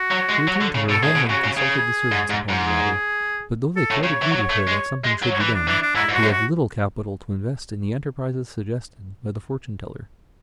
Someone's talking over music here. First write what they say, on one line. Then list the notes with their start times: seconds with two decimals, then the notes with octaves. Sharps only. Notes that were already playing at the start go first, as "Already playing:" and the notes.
She returned to her home and consulted the servants upon the matter; but though they quite agreed with her that something should be done, they had little capital to invest in the enterprises suggested by the fortune-teller.
Already playing: F#4
0.11 F#3
0.29 G#3
0.48 F#3
0.61 D3
0.75 C#3
0.89 B2 A4
1.02 A2 G#4
1.15 B2
1.29 C#3 F#4
1.44 C#3
1.57 C#3 G#4
2.12 G#2
2.30 G#2
2.49 G#2
2.67 G#4
3.76 A4
3.91 A2
4.03 C#3 C#5
4.22 E3
4.32 F#3
4.50 A3
4.67 G#3
5.04 G#3
5.23 F#3
5.33 C#5
5.41 E3 B4
5.55 D4
5.68 E3 D4
5.82 D4
5.95 G#2 E4
6.09 G#2
6.14 F#4
6.23 F#2
6.32 F#4